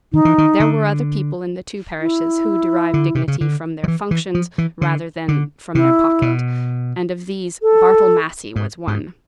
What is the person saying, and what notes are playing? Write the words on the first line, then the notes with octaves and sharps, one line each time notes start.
There were other people in the two parishes who derived dignity from their functions rather than from their pocket, and of these Bartle Massey was one.
D#3 D#4
E3
D#3
D3
E4
D3
C3
C#3
D3
F3
E3
E3
F3
E3
D3
D3
C3 E4
B2
A4
G#2
G#2